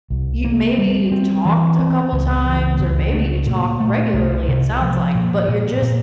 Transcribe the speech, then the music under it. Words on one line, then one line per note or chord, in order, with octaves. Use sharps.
y maybe you've talked a couple times- or maybe you talk regularly, it sounds like- but you're just
C2
A#3
G3
C4
E3
C4
C#2
E3
C#2
A3
A#2
A3
C2
C2
F3
A#2
A#2
A#2